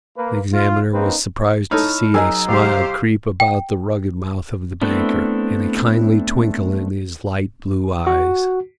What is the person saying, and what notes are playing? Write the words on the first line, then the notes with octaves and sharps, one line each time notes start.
The examiner was surprised to see a smile creep about the rugged mouth of the banker, and a kindly twinkle in his light-blue eyes.
A#3 B4
F4
A#3 C4 C#4 D#4 B4
D#4 E4 A4 C#5 B5 F6
F#3 D#4 G#4 A#4 D#5 G#5 A#5 E6
C2 G4 C5 F5
G5
A3 B3 C4 D4 E4
F#4